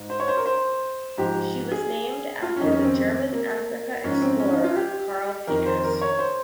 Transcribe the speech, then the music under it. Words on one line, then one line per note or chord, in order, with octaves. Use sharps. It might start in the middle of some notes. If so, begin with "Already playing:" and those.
She was named after the German Africa explorer Carl Peters.
Already playing: G#2
C5
C#5
C5
A#4
C5
G#2 F3 G4
G#4
F4
C#4
F2 D#3 D#4
C#4
C4
A#3
G#2 F3 C#4
C4
C#4
D#4
F4
G4
F2 D#3 A#4
C5
A#4
C#5
C5